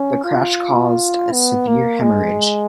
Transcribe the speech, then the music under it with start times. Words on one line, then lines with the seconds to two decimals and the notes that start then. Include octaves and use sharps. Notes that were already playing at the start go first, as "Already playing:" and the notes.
The crash caused a severe haemorrhage.
Already playing: C#4
0.24 F4
1.32 B3
1.68 A#3
2.03 G#3